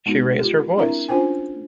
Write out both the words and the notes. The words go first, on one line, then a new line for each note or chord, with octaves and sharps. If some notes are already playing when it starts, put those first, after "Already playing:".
She raised her voice.
G#3 B3 D#4 F#4
F4 G4
C4 D4 E4 A#4 E5 A#5
C#4 D4 F4 C5 G5 G#5